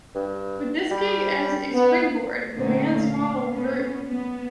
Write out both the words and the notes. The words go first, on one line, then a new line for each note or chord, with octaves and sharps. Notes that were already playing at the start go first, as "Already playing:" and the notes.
With this gig as a springboard, the band's following grew.
G2
G3
B3
A#2 D3 A3 C#4 D#4
F5
A#2 B3 C#4
B3